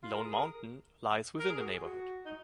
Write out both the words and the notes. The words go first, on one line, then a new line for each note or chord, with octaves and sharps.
Lone Mountain lies within the neighborhood.
F4
A#4
G#4
A#4
A#4
G#4
F#4
G#4
F#4
D#4